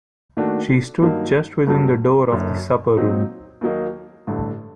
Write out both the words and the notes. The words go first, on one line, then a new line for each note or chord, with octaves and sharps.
She stood just within the door of the supper-room.
D#2 D#3 A3 D4 F#4
G2 D#3 F#3 A#3 D#4
G1 G2 F#3
F#1 F#2 D3
A#2 F#3 C4 D#4
D#2 D#3 F#3 A#3 D#4
A1 G2 D3